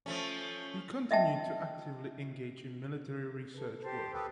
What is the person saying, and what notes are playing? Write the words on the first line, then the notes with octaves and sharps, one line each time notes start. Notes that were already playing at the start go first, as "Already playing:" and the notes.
He continued to actively engage in military research work.
F3 A3 C#4
D#5 E5 G5 A5
A4 B4
G4 C5 A5
D2 G4 A4 B4 G5 D#6